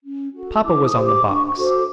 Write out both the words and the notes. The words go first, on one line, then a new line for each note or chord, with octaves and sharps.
Papa was on the box.
C#4
F#4 A4
E4 D6
D#6
G4 C5
D6
D4 C#6
C#6
F#4 A4 C5
D6